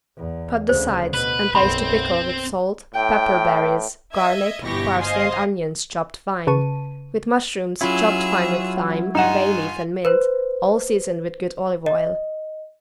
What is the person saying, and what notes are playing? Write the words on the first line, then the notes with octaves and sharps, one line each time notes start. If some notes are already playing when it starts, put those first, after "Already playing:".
Cut the sides and place to pickle with salt, pepper berries, garlic, parsley and onions chopped fine; with mushrooms chopped fine with thyme, bay-leaf and mint, all seasoned with good olive oil.
E2
D2 C#3 C5
B2 B4
B1 F#2 C4 B5 C6
A2 G5
D#5 E5 G#6
G1 B2 E3 G4 C#6 A#6
C5 D#5 F5 G#5 C6
C#3 B4 A5 C#6 D#7
F#3 C#4 E4 F4 G#4 B5 E6
G2 D#4 F4 F#5 G#5 E7
B4 C5
D#5